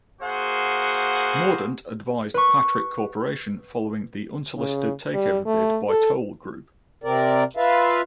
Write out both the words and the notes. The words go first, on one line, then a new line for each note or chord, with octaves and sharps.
Mordant advised Patrick Corporation following the unsolicited takeover bid by Toll Group.
A#3 F#4 G#4 C5 F#5
B4 C#6
C#3
G3
A3
A4
C3 C4 A#4 D5
F4 B4 E5 F5 A5